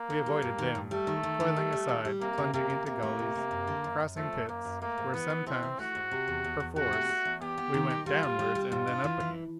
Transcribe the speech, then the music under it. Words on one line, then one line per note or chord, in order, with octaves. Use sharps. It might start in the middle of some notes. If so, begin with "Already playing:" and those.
We avoided them, toiling aside, plunging into gullies, crossing pits where sometimes, perforce, we went downwards, and then up again.
Already playing: A#3
D#3
G3
G2
D#3
G2
G3 A3
D#3
D#3
D#3
G3
G3
D#3
G3
C3 A#3
C3
C3 A#3
C3
C3 A#3
A3
C3
C3
F#2
D3
F#2
F#2
F3 A3
F#2
F#2 A#3
F#2
A3 A#3
G#2
E3 B3
E3
A3 C4
E3
A3 F#4
G#2
C3
E2
E2
E2
C3 F#4
A3
A3
E2
B3 G4
B3
D#3
D#4
G3 F4
G3
G3
G3
G#2 F4
D4
E3
E3